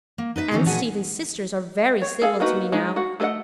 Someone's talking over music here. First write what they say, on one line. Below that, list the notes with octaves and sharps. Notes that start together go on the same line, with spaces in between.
And Stephen's sisters are very civil to me now.
A#3
D#4 B4 D5 E5
D#3 E3 A3 C#4 D#4 G4
A#2 F3 B3 F#4 G#4 G#5
C#5
G#4 A4 F5
A#3 B3 D#4 F#4 B4
G#3 D#4
F#4 F#5
A3 G#4 A4 D#5 F#5